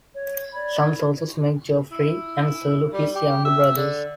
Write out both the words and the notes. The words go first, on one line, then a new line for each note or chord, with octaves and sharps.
Some sources make Geoffrey and Serlo his younger brothers.
C#5
D5 B5 G#6
E4
G3
G4
E5
D3